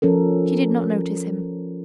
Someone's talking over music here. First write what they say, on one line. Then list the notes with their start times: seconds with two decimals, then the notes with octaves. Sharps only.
She did not notice him.
0.02 F3 C#4 A4 A#4